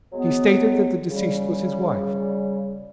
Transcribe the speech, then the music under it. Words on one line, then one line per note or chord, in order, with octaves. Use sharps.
He stated that the deceased was his wife.
F#3 G#3 B3
C#3 G3